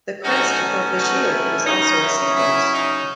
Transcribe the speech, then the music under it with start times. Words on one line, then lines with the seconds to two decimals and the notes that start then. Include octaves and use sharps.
The crest above the shield is also a sea-horse.
0.24 B2 F#3 A3 C#4 D#4 F#4
0.95 D#4 F#4
1.30 E4
1.65 C#3 F#3 C#4 D#4
2.00 E4
2.35 E4
2.72 D#4